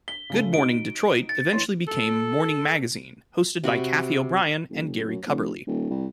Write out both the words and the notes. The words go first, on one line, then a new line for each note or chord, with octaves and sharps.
"Good Morning, Detroit" eventually became "Morning Magazine", hosted by Kathy O'Brien and Gary Cubberly.
B6 G7
C#3 G#3 A3
D#4 F#4 D#5 D7
A6 C#7
E3 C#5 C6
A4
C3 F#4 B5
F#1
F#2
F1
D#1
C2